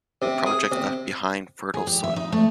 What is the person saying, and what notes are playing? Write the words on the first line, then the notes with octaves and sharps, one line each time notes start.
The project left behind fertile soil.
C3
G#4
C3
G#4
G4
E5
D#4
A3